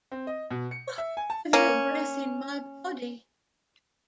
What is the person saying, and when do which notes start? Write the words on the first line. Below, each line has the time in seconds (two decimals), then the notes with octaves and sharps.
I've no breath in my body!
0.12 C4
0.27 D#5
0.51 B2
0.71 C#7
0.98 E5
1.17 G#5
1.30 A5
1.53 A#3 C#4